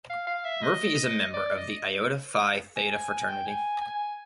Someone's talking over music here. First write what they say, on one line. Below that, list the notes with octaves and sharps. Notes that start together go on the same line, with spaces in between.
Murphy is a member of the Iota Phi Theta fraternity.
F5
F5
E5
D#5
D5
D#5
G#5
G#5
G#5
G5
G#5
G#5